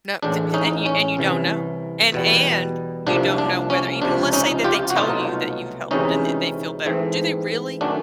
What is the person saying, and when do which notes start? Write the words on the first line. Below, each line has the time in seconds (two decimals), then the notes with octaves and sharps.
No, th and you and you don't know, and and you don't know whether even let's say that they tell you that you've helped and that they feel better, do they really?
0.22 A1 A2 E3 G#3 D4
0.54 C#4 D#4
0.86 C#4
1.17 C2 C3 E3
2.12 E2 B2 G3
3.07 C2 C3 F3 A#3 D4
3.38 D4
3.70 C#4
4.02 C#2 C3 F3 D4
4.33 C#4 D#4
4.64 F4 G4
4.90 F#4
4.96 C2 B2 F#3 A3 D#4 F4
5.91 D2 C3 E3 G#3 C4 C#4 D#4
6.86 G#2 E3 A3 C4
7.81 D#3 F#3 A3 C#4 D4